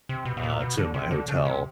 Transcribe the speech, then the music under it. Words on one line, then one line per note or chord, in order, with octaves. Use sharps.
uh, to my hotel,
C3
B2
B2
A#2
B2
D3
C3
D3
C#3
C3